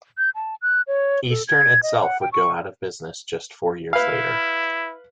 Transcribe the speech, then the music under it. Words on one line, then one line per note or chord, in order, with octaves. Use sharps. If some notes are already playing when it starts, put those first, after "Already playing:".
Eastern itself would go out of business just four years later.
G6
A5
F#6
C#5
A4
G#6
D#5
F#5
G5
C#6
E4 B4 F5